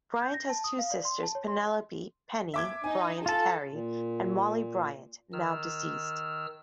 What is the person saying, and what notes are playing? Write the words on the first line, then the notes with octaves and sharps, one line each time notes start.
Bryant has two sisters, Penelope "Penny" Bryant Carey, and Molly Bryant, now deceased.
G6
A#6
A5
D#6
F5
D5
C6
A5
C#5
C6
E5 D6 G#6
D#4 G#5
F4 A4 A5
A#2
D#3 E6 F6